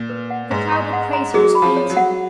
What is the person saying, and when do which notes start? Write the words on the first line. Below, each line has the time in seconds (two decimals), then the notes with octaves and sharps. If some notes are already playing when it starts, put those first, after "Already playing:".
The crowded crater was fainting.
Already playing: A#2
0.10 B4
0.30 F#5
0.51 G#2 B4
0.72 C#6
0.93 F#5
1.13 A#5
1.34 F#3 G#4
1.55 B5
1.62 F3
1.77 C#5
1.90 F#3
1.97 F#5